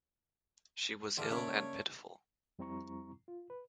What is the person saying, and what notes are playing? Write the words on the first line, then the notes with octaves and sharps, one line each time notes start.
She was ill and pitiful.
E2 D3 E5 C6 D6 F6
C#3 A#3 D4 C#5 E5
F2 G3 C4 E4 A#5 C#6
F4
B4